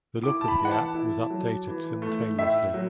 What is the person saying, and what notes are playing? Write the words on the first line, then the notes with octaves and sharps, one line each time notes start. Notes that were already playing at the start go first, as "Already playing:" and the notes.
The look of the app was updated simultaneously.
E4 D6
A5
B5
E3
F#5
A5
E4
F#3
E3
A3
A2 E5
F#3